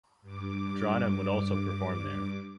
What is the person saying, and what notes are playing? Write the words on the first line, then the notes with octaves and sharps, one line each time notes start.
Dranem would also perform there.
G2 D6